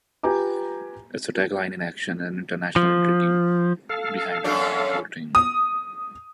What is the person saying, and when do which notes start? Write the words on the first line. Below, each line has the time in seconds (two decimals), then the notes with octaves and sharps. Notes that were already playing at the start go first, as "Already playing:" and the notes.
Its tagline is Action and international intrigue behind the iron curtain.
0.23 F4 G4 B4 G#5 A#5 D6
2.76 F3
3.89 A4 F5
4.44 F#2 C#4 D4
5.35 D#6